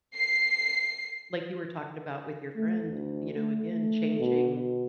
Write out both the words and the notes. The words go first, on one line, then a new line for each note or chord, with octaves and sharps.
like, you were talking about with your friend, you know, again, changing
C7
A3
D2
A3
A3
B2
B2